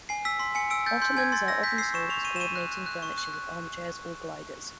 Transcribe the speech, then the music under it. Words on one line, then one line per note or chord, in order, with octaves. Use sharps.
Ottomans are often sold as coordinating furniture with armchairs or gliders.
G#5 C7
E6 B6
C6 B6
G#5 C#7
E6 D7
G6 A6
C6 G6
G#5 G#6
C6 A6
E6 A#6
G6 B6
E6 C7
C#6 E7
C#6 F7
C#6 D#7
E7
C#6 D#7
F#6
F#6
F#6
C#6
F#6
F#6